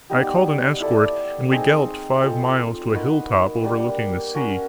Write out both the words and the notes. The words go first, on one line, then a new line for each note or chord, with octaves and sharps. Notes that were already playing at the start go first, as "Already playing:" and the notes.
I called an escort and we galloped five miles to a hilltop overlooking the sea.
G3 B3 D#4 G4
E4 A4 D5
C4 D#4 G#4 C5
C4 F4 A4
A#3 D#4 F#4 B4
G3 A#3 D4
C#4 F#4 A#4